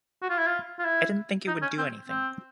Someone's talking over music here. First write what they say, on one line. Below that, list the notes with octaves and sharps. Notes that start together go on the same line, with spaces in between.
I didn't think it would do anything.
F#4
F4
E4
F4
F4
E4
D#4
C#4
C4
C4